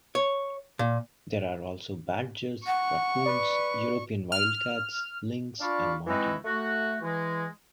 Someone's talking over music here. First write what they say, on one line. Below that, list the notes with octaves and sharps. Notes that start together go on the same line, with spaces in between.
There are also badgers, raccoons, European wildcats, lynx and marten.
C#5
A#2
F#5 C#6
B4 D5
F6
D4 F4 D5 F5 B5 C#6
E3 G#3 C4 D#4 E4 F#4
A3 F#4
E3 G#3